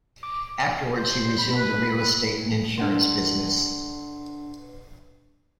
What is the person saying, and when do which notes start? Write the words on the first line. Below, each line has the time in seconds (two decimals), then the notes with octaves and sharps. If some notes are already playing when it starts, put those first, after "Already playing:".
Afterwards he resumed the real estate and insurance business.
0.23 D6
0.94 C5
1.39 B5
1.56 B4
2.78 D4 A4 F#5 C6